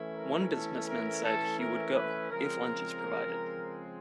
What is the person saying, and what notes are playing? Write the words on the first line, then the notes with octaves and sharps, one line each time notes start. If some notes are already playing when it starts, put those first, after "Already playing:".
One businessman said he would go...if lunch is provided.
Already playing: E3 A3 C#4 E4
A#4
A4
A#4
A4
A#4
B4
C#3 F3 G#3 C4 A#4